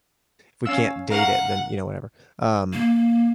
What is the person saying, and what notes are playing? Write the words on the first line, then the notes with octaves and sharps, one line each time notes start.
if we can't date it, then, you know, whatever. Um
C#4 F5 E6
A#4 F5 F#5 A#5
A#3